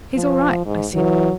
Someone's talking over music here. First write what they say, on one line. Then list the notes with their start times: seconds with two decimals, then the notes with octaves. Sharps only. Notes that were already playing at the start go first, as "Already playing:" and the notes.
'He's all right,' I said.
0.15 F3
0.66 G#2
0.94 E3 F#3